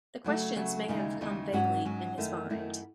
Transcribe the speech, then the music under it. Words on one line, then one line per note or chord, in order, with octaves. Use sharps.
The questions may have come vaguely in his mind.
C#3 F#3 A3
C#3 F#3 A3
D#2 C#3 E3 G#3 D#4
D#2 C#3 E3 G#3 D#4
G#2 F#3 C#4 F#4
G#2 F#3 C#4 F#4
F#2 D#3 A3 E4
F#2 D#3 A3 E4